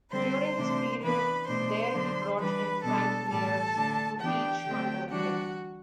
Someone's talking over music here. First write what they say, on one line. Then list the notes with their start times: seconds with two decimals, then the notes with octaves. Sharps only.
During his period there he brought in Frank Mears to teach under him.
0.11 D3 G3 C4 C5 C6
0.57 C3 E3 A3 D4
1.02 E3 B3 D4 B4 B5
1.47 B2 A3 D4 C5 C6
1.93 D3 F#3 B3 D4
2.38 E3 G3 D4 B4 B5
2.84 B2 G3 B3 D4 A4 A5
3.29 A2 E3 G3 A4 A5
3.75 D3 A3 D4
4.20 E3 B3 D4 G4 G5
4.65 D3 A3 C4
5.11 E3 G3 D4 F#4 F#5